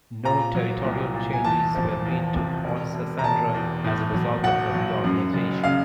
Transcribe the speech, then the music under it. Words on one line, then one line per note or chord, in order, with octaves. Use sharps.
No territorial changes were made to Haut-Sassandra as a result of the reorganisation.
A#2 A#5
F#3
C2
A#2
G#5
E2 A5
F3
E2
C3
E1
E1
A#5
E1 A5
E2
A2
F#3
B1 F#5
F#3
F#2
F#1
C#3 F5